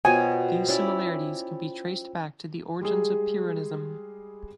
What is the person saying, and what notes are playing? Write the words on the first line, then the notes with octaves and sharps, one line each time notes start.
These similarities can be traced back to the origins of Pyrrhonism.
B2 F4 C5 C#5 G5 G#5
C#4 E4 D5
G3 G#3 G#4